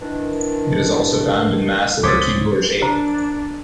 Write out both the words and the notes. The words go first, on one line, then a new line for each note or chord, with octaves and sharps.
It is also found in massive or tubular shape.
D#3 E3 D4
C#2 C5 C#5 D6 D#6 A6 B6
D4 A#4 C5 A#5